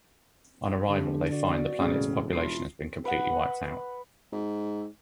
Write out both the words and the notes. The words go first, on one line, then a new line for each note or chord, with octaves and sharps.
On arrival, they find the planet's population has been completely wiped out.
D3 F3 G#3 G4
F#4 D5
E1 A2 C#3
D4 E4 F4 C7
B4 D#5 F#5
G#2